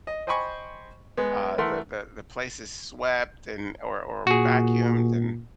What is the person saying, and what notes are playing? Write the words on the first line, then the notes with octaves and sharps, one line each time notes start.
uh, the the the place is swept and or or vacuumed, and
D#5
C5 D#5 G5 G#5 B5 C#6
G#3 B3
E3 A3 A#4 F#5 C6
A#2 F#4 G#4